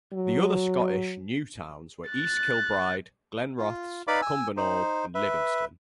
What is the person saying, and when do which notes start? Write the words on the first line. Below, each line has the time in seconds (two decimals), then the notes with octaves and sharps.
The other Scottish 'new towns' were East Kilbride, Glenrothes, Cumbernauld and Livingston.
0.13 F#3
2.11 F#6 A6
3.58 F4
4.07 D#4 B4 D5 F5 B5 D6
4.22 G#5 E6
4.57 D#4 C5
5.15 B4 E5